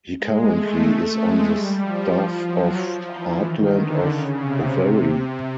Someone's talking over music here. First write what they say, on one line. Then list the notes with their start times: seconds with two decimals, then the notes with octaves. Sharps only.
He currently is on the staff of Heartland of Owerri.
0.19 G#3
0.52 A3
1.17 G#3
1.49 G3
1.82 F3
2.14 F3
2.46 F#3
2.78 F3
3.11 E3
3.44 D#3
3.75 D3
4.08 C#3
4.40 C3
4.73 C3
5.05 C3